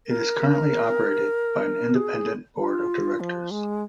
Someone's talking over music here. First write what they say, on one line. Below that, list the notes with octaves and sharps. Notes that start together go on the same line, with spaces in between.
It is currently operated by an independent Board of Directors.
A#4
G#4
F4
F3
G#3